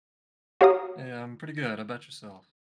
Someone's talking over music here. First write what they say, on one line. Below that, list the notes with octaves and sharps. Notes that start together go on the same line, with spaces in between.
Yeah, I'm pretty good. How about yourself?
F#4 G4 C#5 F5 A#5 D#6